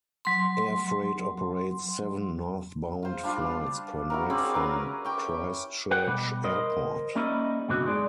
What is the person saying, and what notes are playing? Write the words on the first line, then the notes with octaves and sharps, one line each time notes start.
Air Freight operates seven northbound flights per night from Christchurch Airport.
F#3 C6
F4 C5
G3 D4 F4
E4 F#4 A#4
C4 C#4 G#4 D5
C#4 A#4 B4
G4 G5 C#6
B4 C5 F#5 G5
B2 G3
A#4 C5 D#5
G3 A#3 C#4 D#4 E4 D#5
C#2 F#2 B2 D3 C4 F#4
G#3 D#4 G#4 D5